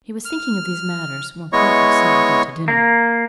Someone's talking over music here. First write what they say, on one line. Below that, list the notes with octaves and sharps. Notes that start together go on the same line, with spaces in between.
He was thinking of these matters when Porthos summoned him to dinner.
F6
G#3 B3 E4 C#5 D#5 C#6
A#3